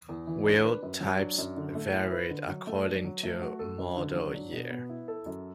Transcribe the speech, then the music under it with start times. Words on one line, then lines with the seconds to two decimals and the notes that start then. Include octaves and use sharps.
Wheel types varied according to model year.
0.09 E2
0.27 E3
0.45 D4
0.64 B4
0.83 F#2
1.01 F#3
1.19 D4
1.38 F#2
1.57 D3
1.75 A3
1.93 E4
2.11 B4
2.30 D3
2.48 F#3
2.67 A3
2.86 D4
3.05 F#3
3.23 A3
3.42 F#4
3.59 A4
3.78 F#2
3.97 D3
4.16 F#3
4.34 D4
4.52 B2
4.70 B3
4.90 E4
5.08 A4
5.26 F#2